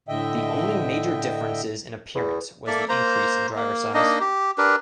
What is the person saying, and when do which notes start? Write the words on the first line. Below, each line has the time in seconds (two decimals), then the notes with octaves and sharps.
The only major difference in appearance was the increase in driver size.
0.08 A2 D3 D#5 E5 G5
2.15 E2
2.67 A#3 A4 D5 E5
2.89 A#3 C5 A#5
3.55 A#3
3.94 A#3 D4 D#4 D#5
4.21 G4
4.58 D4 G4 A#4 B4